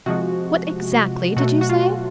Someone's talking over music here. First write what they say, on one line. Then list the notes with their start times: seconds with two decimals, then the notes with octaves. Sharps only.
What exactly did you say?'
0.06 C3 F3 G#3 F#4
1.36 B2 F#3 A3 F#4
1.61 F#4
1.69 F4